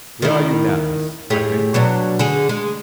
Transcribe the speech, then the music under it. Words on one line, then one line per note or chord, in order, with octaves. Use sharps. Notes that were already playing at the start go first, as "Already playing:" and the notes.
We are unanimous, I think.
D#3 E4
A2 G4 G#4
B2 F#3 D4
D3 G#4
G#3